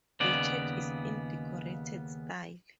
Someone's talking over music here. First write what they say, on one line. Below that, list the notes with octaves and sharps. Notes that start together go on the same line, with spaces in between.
The church is in decorated style.
D#2 C#3 B3 D5